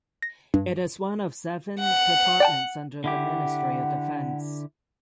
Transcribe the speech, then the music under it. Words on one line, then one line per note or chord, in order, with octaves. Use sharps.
It is one of seven departments under the Ministry of Defence.
A#6
G2
F#5
D5 G5 A5
D3 E4 G4 F#5